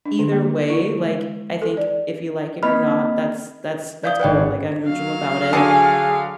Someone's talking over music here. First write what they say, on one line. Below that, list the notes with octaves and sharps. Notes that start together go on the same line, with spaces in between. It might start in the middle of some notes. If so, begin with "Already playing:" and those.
either way, like, I think if you like it or not, that's that's that's cool. Like, I'm neutral about it.
D4
D3
A#3
E4
G#3
A4
D5
A#3 C4 D#5 B5 F6
D5 F5 D#6 G6
G#1 B4 D5 F#5 G5
F#3 F5
D3 F#4 G#4 G#5 A5